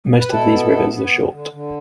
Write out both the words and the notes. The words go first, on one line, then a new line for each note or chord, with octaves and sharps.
Most of these rivers are short.
B4
B2 E4 A4
B3
B3
B3
D3
D3
D3